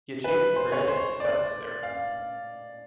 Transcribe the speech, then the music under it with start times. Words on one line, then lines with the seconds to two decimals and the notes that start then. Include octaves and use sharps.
He achieved his greatest successes there.
0.24 B4
0.56 C5
0.72 C#5
0.88 C5
1.20 D5
1.83 F5